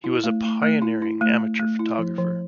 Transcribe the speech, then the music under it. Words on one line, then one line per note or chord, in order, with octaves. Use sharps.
He was a pioneering amateur photographer.
E4
A3
A3
A3
E4
E4
A3
A3
A3
E4
F3
F3